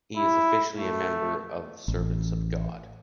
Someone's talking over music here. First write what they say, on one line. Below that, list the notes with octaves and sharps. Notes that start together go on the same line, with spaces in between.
He is officially a member of the Servants of God.
E4
A3
A1